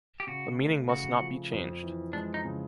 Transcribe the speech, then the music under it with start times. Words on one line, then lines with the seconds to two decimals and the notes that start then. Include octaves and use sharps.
The meaning must not be changed.
0.20 G4
0.27 C#3 F#4
0.58 A3
0.89 C#3 F#4
1.21 F3
1.52 F2
1.83 E3
2.13 G#3 D4
2.34 D#4
2.44 C#3